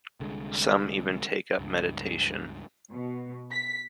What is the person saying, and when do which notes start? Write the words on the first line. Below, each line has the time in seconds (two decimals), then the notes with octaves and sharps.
Some even take up meditation.
0.20 C2 D3 G#3
1.58 C#2 G2
2.91 B2
3.52 B6